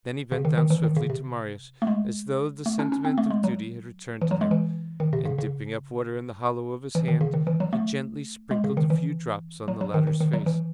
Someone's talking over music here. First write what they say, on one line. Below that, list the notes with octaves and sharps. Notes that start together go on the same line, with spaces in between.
Then he bent down swiftly to Marius, as though the sentiment of duty had returned to him, and, dipping up water in the hollow of his hand, he gently sprinkled a few drops on the latter's face.
C#3
D#3
D#3
E3
D#3
C#3
C3
A3
G#3
A3
C#4
C#4
C4
A3
G#3
F#3
E3
F#3
G#3
E3
D#3
C3
C#3
C#3
E3
D#3
C#3
D#3
E3
F#3
A3
G#3
C#3
D#3
E3
F#3
F#3
D#3
D#3
D#3
F#3
E3